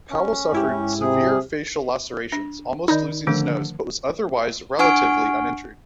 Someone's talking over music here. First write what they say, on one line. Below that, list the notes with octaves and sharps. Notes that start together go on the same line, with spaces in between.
Powell suffered severe facial lacerations, almost losing his nose, but was otherwise relatively uninjured.
C#4
G#2 E4 G4
C3 G#4
D4
D#3 D#4 D5 B5
D3 D#3 F3 A3
D4 F#5 G#5 C#6 F6 D7